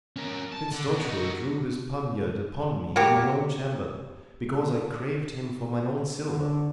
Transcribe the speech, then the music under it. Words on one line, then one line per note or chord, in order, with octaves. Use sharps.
Fitzdotterel drew his poniard upon me in mine own chamber, because I craved him for mine own silver.
C#4 A#4
A5
D3
B2 F#4
D#4 F#4
A#3 F#4 G4
D3